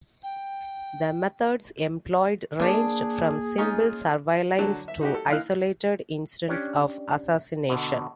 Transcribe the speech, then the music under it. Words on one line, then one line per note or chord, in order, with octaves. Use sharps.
The methods employed ranged from simple surveillance to isolated incidents of assassination.
G5
F3 A#3 D4 G#4
C#4 D#4 F4
D3 F#3 A5
E5
D#4 F#4 G4
A4
E3 D#4 E4 F5 F6 F#6
C#4 D4 G4 C#5 D5
B2 D3